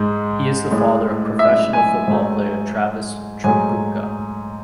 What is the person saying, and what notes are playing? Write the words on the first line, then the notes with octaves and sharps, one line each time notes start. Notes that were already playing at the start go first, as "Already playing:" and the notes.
He is the father of professional football player Travis Tripucka.
Already playing: G#2 G#3
A2 G#3
E5
G#5
G#2 F#3 A3
G#2 F#3 A3 G#5